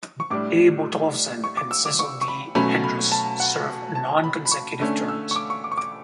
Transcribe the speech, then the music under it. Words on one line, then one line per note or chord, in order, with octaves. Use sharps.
A. Bottolfsen and Cecil D. Andrus-served non-consecutive terms.
C#6
A2 G3 D4 D6
C#6
D6
E6
D6
C#6
C#6
B5
B2 F#3 A3 C#4 B5
B5
A5
F#5
A5
B5
B5
C#6
D3 A3 C#4
E6
C#6
D6
C#6
D6
C#6
D6